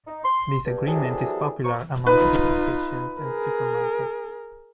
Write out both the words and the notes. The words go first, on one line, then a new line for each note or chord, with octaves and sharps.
This agreement is popular among filling stations and supermarkets.
D#4
C6
G2
C3 E3 F#3 G3 G#4 A4
F3 B3 A#5 C#6
D#4 F4 B4
G#4 A#4